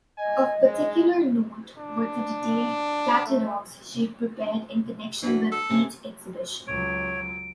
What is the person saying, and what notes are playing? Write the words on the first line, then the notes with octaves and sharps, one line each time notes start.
Of particular note were the detailed catalogues she prepared in connection with each exhibition.
D#5 G#5
G#3
D4
A3
E3 D4 F#4
A4
C3 C4 C#4
C#2 F#3 C#5 D7